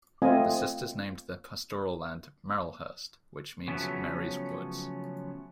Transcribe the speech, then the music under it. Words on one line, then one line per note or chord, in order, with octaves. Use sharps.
The Sisters named the pastoral land Marylhurst, which means "Mary's Woods".
A3 C4 F4 D#5 G#5
C#3 F3 F#3 A3 B3 C#4